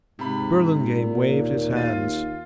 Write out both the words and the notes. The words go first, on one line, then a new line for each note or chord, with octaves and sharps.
Burlingame waved his hands.
G#2 C3 B5
A#2
D#2
F4 A6 D#7